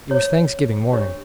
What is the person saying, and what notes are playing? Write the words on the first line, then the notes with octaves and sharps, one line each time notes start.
It was Thanksgiving morning.
C#5
D4 G4 C#5